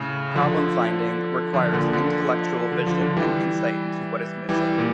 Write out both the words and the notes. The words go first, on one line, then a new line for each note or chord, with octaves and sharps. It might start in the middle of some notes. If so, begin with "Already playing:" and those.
Problem finding requires intellectual vision and insight into what is missing.
Already playing: A2 C#3
D3 F3
D3 F3
A#2 D3
D3 F3
D3 F3
D3 F3
D3 F3
E3 G3
E3 G3
A#2